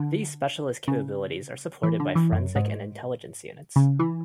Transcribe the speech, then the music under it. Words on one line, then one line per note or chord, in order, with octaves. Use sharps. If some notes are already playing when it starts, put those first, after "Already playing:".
These specialist capabilities are supported by forensic and intelligence units.
Already playing: D3
C#3
E3
D3
E3
F#2
G#2
C#3
E3